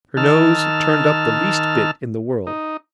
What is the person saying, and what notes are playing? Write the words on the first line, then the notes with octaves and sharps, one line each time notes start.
Her nose turned up the least bit in the world.
D#3 A5 E6 F6
D#4